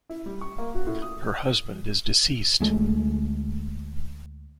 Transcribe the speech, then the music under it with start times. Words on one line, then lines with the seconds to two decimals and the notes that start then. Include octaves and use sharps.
Her husband is deceased.
0.09 E4
0.26 G3
0.41 C#6
0.58 A#3
0.75 F#4
0.87 A2
1.02 D#6
2.60 D2 G#3 A3